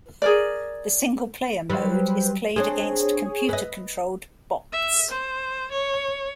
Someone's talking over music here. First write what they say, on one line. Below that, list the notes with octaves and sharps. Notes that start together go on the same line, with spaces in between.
The single-player mode is played against computer-controlled bots.
G#4 A#4 D5
F#3 G3 B4 C5
C4 D4 G#4 C#5
B4 D#5
E5
C5
C#5